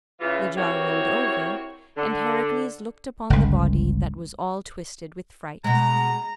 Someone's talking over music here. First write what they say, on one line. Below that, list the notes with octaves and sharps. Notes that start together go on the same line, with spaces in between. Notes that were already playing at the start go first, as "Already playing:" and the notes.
The jar rolled over, and Heracles looked upon the body that was all twisted with fright.
C#3 E3 F4
C4 E4 F#4 G4 A#4 C#5
D3
G1 C#2
B2 G#3 A#5